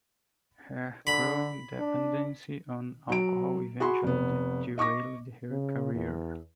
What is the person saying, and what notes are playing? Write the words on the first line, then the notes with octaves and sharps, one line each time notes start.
Her growing dependency on alcohol eventually derailed her career.
D3 B5
D4
F#3 D7
F#4 G#4 B5 C6
F1 B3
D#5 C#6 D6 A#6
C#3
E2